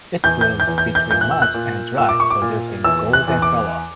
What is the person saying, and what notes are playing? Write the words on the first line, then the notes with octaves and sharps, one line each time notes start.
It blooms between March and July producing golden flowers.
E2 G6
G6
G6
E2
G6
G6
A#2 G6
F#6
E6
F#6
A#2
A#2 E6
D6
C#6
D6
A#2
E2 E6
F#6
E2
D6